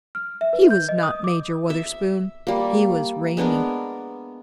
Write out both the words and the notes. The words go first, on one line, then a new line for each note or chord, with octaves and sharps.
He was not Major Wutherspoon; he was Raymie.
F6
E5
B4
G6
D#5
D#6
D6
E5
G3 A#3
G#3 B3 D4 A#4